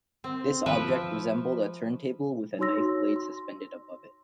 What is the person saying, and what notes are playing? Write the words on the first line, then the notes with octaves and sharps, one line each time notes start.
This object resembled a turntable with a knife blade suspended above it.
C4
F3 B4 E5 G5
D#4 F#4 C#5 C6 E6 A#6
C6